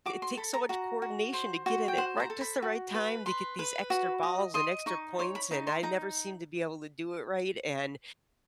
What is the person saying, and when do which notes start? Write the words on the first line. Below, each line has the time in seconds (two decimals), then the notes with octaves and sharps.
it takes so much coordination to get it at right just the right time to get these extra balls, and extra points, and I never seemed to be able to do it right, and
0.06 F#4 D6
0.22 C6
0.37 A4 B5
0.54 A#5
0.69 F#4 A#5
1.02 F#4
1.33 C5
1.66 F#4
1.88 G5
1.98 C5 F#5
2.20 A#5
2.30 A4
2.41 B5
2.62 F#4
2.94 B4
3.26 B4 C6
3.59 B4
3.90 F#4
4.23 D#5
4.54 D#5 C6
4.86 D#4 C#6
5.19 C#5 C6
5.35 B5
5.51 D#4 B5
5.67 C6
5.83 D#4 A#5